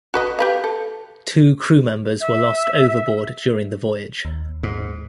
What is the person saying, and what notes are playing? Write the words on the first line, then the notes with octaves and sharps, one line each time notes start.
Two crew members were lost overboard during the voyage.
F#4 B4 D#5
G4 B4 F5
A4
E5
D#2
G#2